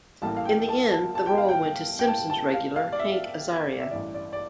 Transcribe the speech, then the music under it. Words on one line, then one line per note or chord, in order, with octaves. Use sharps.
In the end, the role went to "Simpsons" regular Hank Azaria.
A1 A2 G3 A#3 A5
F5
G5
A5
A5
A5
G5
F5
G5
G5
A5
A5
F5
F5
D5
E5
E5
A1 G2 E3 D5
D5
D5